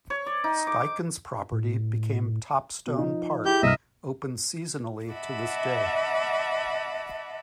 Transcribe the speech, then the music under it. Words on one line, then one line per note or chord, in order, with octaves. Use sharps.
Steichen's property became Topstone Park, open seasonally to this day.
C#5
D5
D#4
D6
A2
B2
F3 D#4
E4 G4 G#4 G6
C2 G2 D#5 E5 F6
D#5 E5 F#5 A5 B5 D6